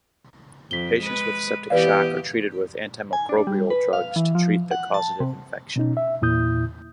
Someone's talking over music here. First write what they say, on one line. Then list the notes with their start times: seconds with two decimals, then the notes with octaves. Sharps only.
Patients with septic shock are treated with antimicrobial drugs to treat the causative infection.
0.71 F2 B6 G7
1.01 G#3 B4
1.70 E3 B3 G4 B4 D5 F5
3.13 G#5
3.29 D4
3.47 G3
3.70 B4
3.93 F5
4.16 E3
4.35 F3
4.71 F#5
4.94 A5
5.20 C3
5.76 B2 C#4 D#4
5.97 E5
6.22 E2 A#2 E4 D#6 G6